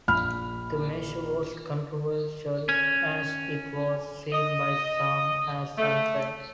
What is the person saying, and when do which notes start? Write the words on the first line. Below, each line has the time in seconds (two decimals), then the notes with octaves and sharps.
The measure was controversial as it was seen by some as unfair.
0.08 A#1 B5 F6
2.69 C#4
4.33 D#5
5.78 A3